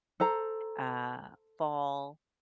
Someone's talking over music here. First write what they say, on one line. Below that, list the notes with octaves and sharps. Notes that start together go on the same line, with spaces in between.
uh, fall,
A4 C5 A#5